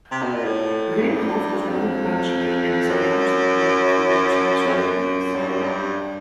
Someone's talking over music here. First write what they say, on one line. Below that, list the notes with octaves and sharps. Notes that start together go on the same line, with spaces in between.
Greenhoff was born in Barnsley, and as a youngster played for Yorkshire Schoolboys.
C3
B2
A#2
A2
G#2
G2
F2
F#2
F2
F#2
G2
F#2
G2